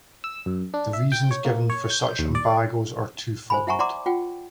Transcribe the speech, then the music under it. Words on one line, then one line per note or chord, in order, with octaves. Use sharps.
The reasons given for such embargoes are twofold.
E6
F#2
D4
E5
G5
C#5
A#3
C#5
G6
D#2
D5
C5 G#5 B5
E4 E5 F#5 G#5 A#5 C#6
E4 D5 F#5 A#5 C6 D6
F4 F#5 G5